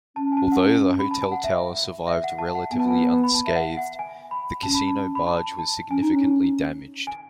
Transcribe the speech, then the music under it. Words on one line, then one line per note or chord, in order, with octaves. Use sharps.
Although the hotel tower survived relatively unscathed, the casino barge was significantly damaged.
C#4 A5
G#5
A5
F#5
G#5
B5
A5
G#5
F#5
E5
E5
F#5
A5
F#5
B3 G#5
A5
G#5
B5
A5
E5
F#5
F#5
G#5
B5
C#4 A5
B5
A5
B5
A5
A5
C#4 G#5
D#4
C#4
G#5